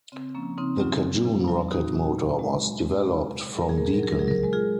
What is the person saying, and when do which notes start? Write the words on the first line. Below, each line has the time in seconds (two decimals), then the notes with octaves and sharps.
The Cajun rocket motor was developed from Deacon.
0.12 C#3 C4
0.35 F3 A#3 C#4
0.57 C#3 C4 D#4
0.80 F#3 C#4 F4
1.03 C3
1.25 C3
1.48 F#3
1.71 A#2 D#4 F#4
1.94 A#2
2.16 A#2
2.39 G#3
2.62 C3
2.84 G#3
3.07 C3
3.30 C3
3.53 F#3 G#4
3.61 A#4
3.69 G#4
3.75 A#2 A#4
3.86 G#4
3.94 A#4
3.98 F#3
4.03 G#4
4.11 A#4
4.19 F#3 G#4
4.28 A#4
4.36 G#4
4.43 G#3 A#4
4.53 F4 G#4